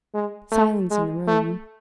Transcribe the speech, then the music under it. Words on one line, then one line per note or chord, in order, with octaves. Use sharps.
Silence in the room.
G#3
A3
G#3
A3